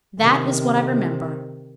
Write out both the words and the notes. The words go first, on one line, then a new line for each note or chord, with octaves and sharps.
That is what I remember.
C3 D#3